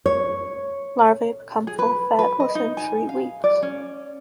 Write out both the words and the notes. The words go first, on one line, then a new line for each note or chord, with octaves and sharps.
Larvae become full fed within three weeks.
C#5
G#4
B4
B4
D#5
D#4
G#5
F5
D5
C#4